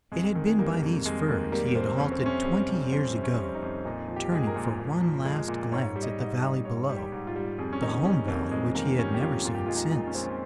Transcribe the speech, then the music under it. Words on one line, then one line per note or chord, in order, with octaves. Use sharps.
It had been by these firs he had halted twenty years ago, turning for one last glance at the valley below, the home valley which he had never seen since.
F2 G#3
D#3
G#3
G3 A#3
F2
F2 G#3
D#3 A#3
G3 A#3
F2 C4
F2 C#4
C4
C3 C#4
G3
F2
F2 C4
C3
C#4
G3
D#4
F2
A#2 D#4
F3
G4
G#3 G#4
A#4
A#2
A#2
F3
G#3
A#2
G#2 C#5
G3
D#5
G#2 D#5
D#5
G3
G#2 C#5
G3
G4
G#2
F4
G3
F2 G#4
C#4
D#3 D#4
G3 C#4
F2 A#3
F2 G#3
D#3 A#3
G3 C#4
G4
F2 F4
A#2 F4
G4
G#3 F4
D#4
A#2
C#4
G#3 C4
C#4